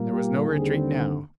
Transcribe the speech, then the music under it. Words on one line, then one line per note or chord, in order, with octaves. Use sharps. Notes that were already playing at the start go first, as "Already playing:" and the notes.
There was no retreat now.
Already playing: A#2 G3 A#3
G4
D#2 D3 G3 C4 G#4